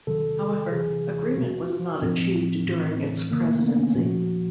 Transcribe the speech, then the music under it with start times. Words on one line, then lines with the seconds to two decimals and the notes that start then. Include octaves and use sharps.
However, agreement was not achieved during its Presidency.
0.07 C3 D#3 F#3 A4
0.72 C3 E3 G#4
1.37 B2 F#3 F#4
1.70 F4
2.02 A2 F3 C4
2.66 A2 E3
3.31 C3 D#3 F#3 A#3
3.46 A3
3.63 B3
3.79 C#4
3.95 A#2 F3 F#4